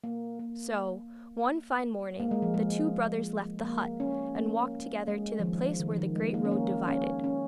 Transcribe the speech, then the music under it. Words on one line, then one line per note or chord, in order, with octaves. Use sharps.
So, one fine morning, the two brothers left the hut, and walked together to the place where the great road divided.
A#3
A#3
A#3
G#3
F3
G#3
A#3
C#4
A#3
G#3
F3
D#3
D#3
F3
D#3
G#3
A#3
C#4
A#3
C#4
C#4